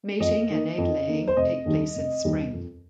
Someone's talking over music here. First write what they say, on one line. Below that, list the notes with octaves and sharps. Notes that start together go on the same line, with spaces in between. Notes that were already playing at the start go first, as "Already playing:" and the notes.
Mating and egg laying take place in spring.
F2 D#5
D#3 A#3
F2
D#3 A#3
C5
F1 D#5
D#2 D#3 G3
F1
D#2 D#3 G3
F2